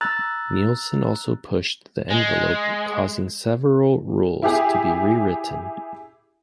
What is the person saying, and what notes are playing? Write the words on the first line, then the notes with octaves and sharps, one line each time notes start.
Neilson also pushed the envelope causing several rules to be rewritten.
A#5 E6 F#6 A6
G#3
E4 G4 G#4